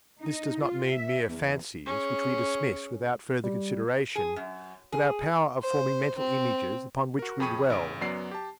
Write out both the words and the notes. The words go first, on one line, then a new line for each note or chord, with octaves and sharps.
This does not mean mere fancies, which we dismiss without further consideration, but our power of forming mental images upon which we dwell.
D#4
F4
E5
E2
C#4 G#4
G3
G#4
F#2
G#4
C5
C4
F#4 A#4
F2 G#4 G5 B5 C#6 D#7
A1 C#3 D7
F#2 F#3 B3 D5 C7
G4 A5